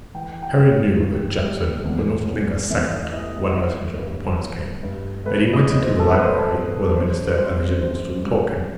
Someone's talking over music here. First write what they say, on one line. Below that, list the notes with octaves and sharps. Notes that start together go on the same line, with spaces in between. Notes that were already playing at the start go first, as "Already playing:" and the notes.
Harry knew that Jackson would not linger a second, when a messenger of importance came, and he went into the library where the minister and the general stood talking.
E3 G5
G5
G2
G2
G3
E2
B2
E2 E5
D#5
E4 D#5
D#5
F#5
B3 E5
G2
B3
G2
A3 B4
D#5
E2
C5
A4
A3 B4
C5
B4
A4
B2
B4
F#2 C5
G3 C5
F#2 C5
G3